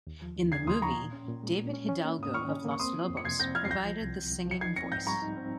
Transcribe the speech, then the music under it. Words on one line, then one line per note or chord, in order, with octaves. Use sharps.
In the movie David Hidalgo of Los Lobos provided the singing voice.
D#2
F3
D#2
C#3 G#6 C7
D#2 C6 D#6
F3 A#5 C#6
A#2
C#4
A#2
G#3
A#2
C#4
C#4
A#3
G#2 D#6
D#3 C#6 F6
C#4
A#3
C#6
C4 C6 D#6
F3
F2
C#7
C3 G#6 C7
C4 G6 A#6
F3 F6 G#6
C7
C2 G6 A#6
F3
C2
C3
C2
F3
C#7
D#4 G#6 C7
C4 A#6 C#7
G#2 G6 A#6
G3 A#5 C#6
D#4
C4